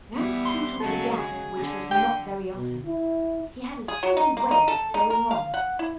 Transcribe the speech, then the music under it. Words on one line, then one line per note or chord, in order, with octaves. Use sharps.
Once Tootles began, which was not very often, he had a silly way of going on.
E3 G3 B3
C6
C#3 F#3 G#3 A4
G#4
D3
G5
B2
E4
G#4
F#3
D#4
A#3
D#4
A4
D#4
A#4
F5
F#5
E4